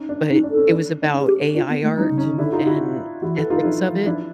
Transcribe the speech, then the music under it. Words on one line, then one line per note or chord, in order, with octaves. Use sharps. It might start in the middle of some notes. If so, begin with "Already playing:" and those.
but it was about AI art and ethics of it.
Already playing: C#4 D#4
D4
C#4 D#4
D4
A4
C#4
D4
D4
C#4
G#4
G4
D4 F4
B3
A3
G3 C#4 D#4
C#3
C#4 D#4
D3
D3 D4 E4
D#4 F4
E4 F#4
E3 E4 F#4
A4 B4
D#4 F4
F3 D4 E4
F#3
F3
F3 D4 E4